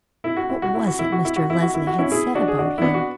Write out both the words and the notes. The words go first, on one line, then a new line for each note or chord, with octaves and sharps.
What was it Mr. Leslie had said about him?
E4
F#4
E4
F#4
E4
F#4
E4
F#4
E4
F#4
E4
F#4
E4
F#4
C#4 E4
E4 G#4
D4 F#4
G#4
D4 F#4
E4
B3 D4
F#4